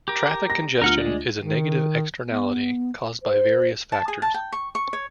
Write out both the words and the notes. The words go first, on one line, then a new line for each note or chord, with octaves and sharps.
Traffic congestion is a negative externality caused by various factors.
G4 A#4
A#6
D2 F4 A#4 F#5 F6
G#3 D5
D#3
B3
C5
A5
G#4
A5
G5
C#6
C#6
C#5